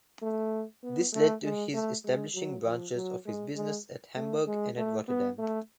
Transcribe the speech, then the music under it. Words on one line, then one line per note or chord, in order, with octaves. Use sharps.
This led to his establishing branches of his business at Hamburg and at Rotterdam.
A3
B3
A3
G#3
A3
G#3
F#3
F3
F#3
G#3
G#3
A3
G#3
A3
B3
A3